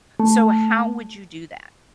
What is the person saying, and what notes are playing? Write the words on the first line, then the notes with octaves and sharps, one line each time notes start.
so how would you do that?
A3